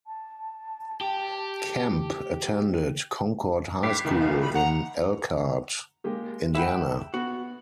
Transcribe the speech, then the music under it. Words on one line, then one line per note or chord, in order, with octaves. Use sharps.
Kemp attended Concord High School in Elkhart, Indiana.
A5
G4
G2 G4 B6 C7
F#1 C2 D#3 B3
F5
B5
F#5 A#5
G#3 A#3 G4
G#4 E5 F#5 G5 B5
B3 F#4